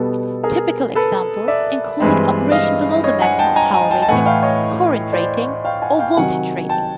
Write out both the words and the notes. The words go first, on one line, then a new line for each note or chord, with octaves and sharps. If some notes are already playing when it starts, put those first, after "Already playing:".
Typical examples include operation below the maximum power rating, current rating, or voltage rating.
Already playing: B2 G3 B3 A4 B4
G#4 A#4
A4 B4
D5 E5
G2 E3 G#3 C4
D#5 F5
C#5 D#5
F#5 G#5
G5 A5
G#5 A#5
G#5 A#5
G5 A5
A5
A2 E3 A3 F#5 G#5
F5 G5
C#5 D#5
C5 D5
F5 G5
F#5 G#5
F5 G5
C3 D#3 F#3 F#5 G#5
G5 A5